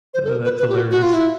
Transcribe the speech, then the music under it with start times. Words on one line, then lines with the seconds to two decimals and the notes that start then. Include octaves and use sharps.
Oh, that's hilarious.
0.14 C5
0.25 A4
0.29 A#4
0.44 B4
0.59 B4
0.69 G4
0.75 F#4
0.91 F#4
1.03 F4
1.14 E4